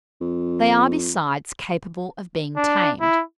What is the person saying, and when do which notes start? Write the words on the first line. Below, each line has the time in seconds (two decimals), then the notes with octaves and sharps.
They are, besides, capable of being tamed.
0.21 F2
2.56 D4
3.01 E4